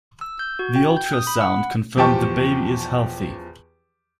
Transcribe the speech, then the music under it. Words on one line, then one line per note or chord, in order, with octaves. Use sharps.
The ultrasound confirmed the baby is healthy.
E6
G6
F#4
G5
G6
D#6
B5
F#5
E2 F3 G4 G5 A5 C#6